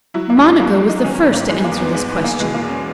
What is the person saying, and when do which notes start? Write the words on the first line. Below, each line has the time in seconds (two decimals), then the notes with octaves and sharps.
Monica was the first to answer this question.
0.14 F#3 E4
0.30 A#3
0.37 G#2
0.44 G#3
0.59 F#3 A#3
0.74 G#3
0.82 F#3
0.89 D#4
1.04 D#3 C#4
1.15 C#4
1.19 B3
1.26 G#2
1.34 A#3
1.49 E3 G#3
1.64 A#3
1.72 E2
1.79 B3
1.94 G#2 B3
2.09 B3
2.17 E3
2.24 A#3
2.39 B2 G#3
2.54 A#3
2.62 E2
2.69 C#4